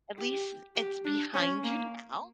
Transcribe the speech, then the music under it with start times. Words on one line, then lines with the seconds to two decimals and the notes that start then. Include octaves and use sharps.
at least it's behind you now.
0.18 G4
0.76 G4
1.05 D4
1.34 C#4
1.63 A#3